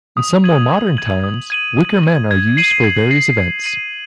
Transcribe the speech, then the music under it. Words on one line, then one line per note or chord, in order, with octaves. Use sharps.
In some more modern times, wicker men are used for various events.
D#6
G#6 D#7 F#7
D#6
G#6 D#7 F#7
D#6
G#6 D#7 F#7
D#6
G#6 D#7 F#7
G#6
C7 D#7 F#7
G#6
C7 D#7 F#7
G#6
C7 D#7 F#7